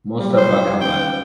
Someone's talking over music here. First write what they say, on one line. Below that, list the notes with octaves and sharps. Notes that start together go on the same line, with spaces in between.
Mostafa Kamal.
F#3 G3
F4 G4 C5
D#4 B4 F5
C#4 G5